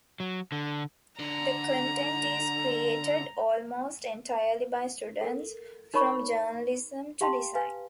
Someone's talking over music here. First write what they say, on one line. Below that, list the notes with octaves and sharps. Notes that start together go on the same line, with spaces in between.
The content is created almost entirely by students, from journalism to design.
F#3
D3
D3 A#5
A4 A#4
D#4 A#4 C#5 B5 C#6
G4 F5 G5 A5 C6
B4 F5 G#5